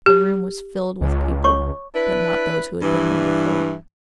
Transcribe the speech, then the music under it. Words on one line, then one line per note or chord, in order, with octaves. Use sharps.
The room was filled with people, but not those who had been there before.
G4
C#2
C#5 C#6 D6
D4 E4 B4
G2 E3